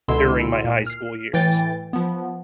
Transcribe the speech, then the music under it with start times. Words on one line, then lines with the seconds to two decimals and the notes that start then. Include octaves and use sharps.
during my high school years.
0.08 C#2 B2 D3 E4 C6 E6
0.64 A#2
0.86 F6 C7
1.33 A2 E3 G5 A6
1.93 F3 B3